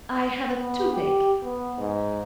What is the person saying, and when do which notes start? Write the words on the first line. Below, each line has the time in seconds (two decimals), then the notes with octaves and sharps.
I have a toothache.
0.56 B3
0.92 G4
1.43 B3
1.78 G#2